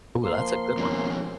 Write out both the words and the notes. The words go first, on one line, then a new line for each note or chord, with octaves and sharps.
Ooh, that's a good one.
F3 A#3 C6
F2 B2 C#4